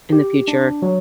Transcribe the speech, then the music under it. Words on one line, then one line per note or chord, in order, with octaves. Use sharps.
in the future,
G4
D4
F#3